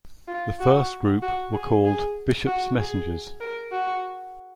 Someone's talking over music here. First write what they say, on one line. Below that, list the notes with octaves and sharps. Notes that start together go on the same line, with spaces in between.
The first group were called "Bishop's Messengers".
F4
F#4
F#4
G#4
G#4
F#4
G#4
A#4
F#4